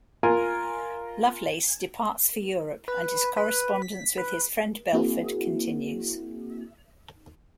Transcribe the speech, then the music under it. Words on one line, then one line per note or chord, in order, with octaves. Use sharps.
Lovelace departs for Europe and his correspondence with his friend Belford continues.
F4 A#4 G#5
B4
B4
B6
B4
A#3 C4 E4 F#4 G#4